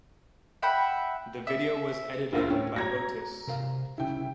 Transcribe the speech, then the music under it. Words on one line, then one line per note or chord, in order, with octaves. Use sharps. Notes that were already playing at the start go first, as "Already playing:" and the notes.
The video was edited by Otus.
E5 F#5 G5 B5
E5
D2 E4 F4 A#4 C5 E6
A2 C#4 G5
F#4 C#5 A#5 G#6 A#6
C3 A#4 F5
C2 C#3 E4 G5